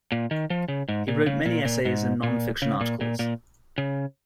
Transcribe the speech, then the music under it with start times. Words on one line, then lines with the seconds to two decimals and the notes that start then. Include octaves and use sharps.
He wrote many essays and non-fiction articles.
0.12 A#2
0.31 D#3
0.50 F3
0.68 C#3
0.89 G#2
1.08 A#2
1.26 C#3
1.46 A#2
1.65 A#2
1.85 G#2
2.23 A#2
2.62 C#3
2.81 A#2
3.01 A#2
3.19 A#2
3.78 C#3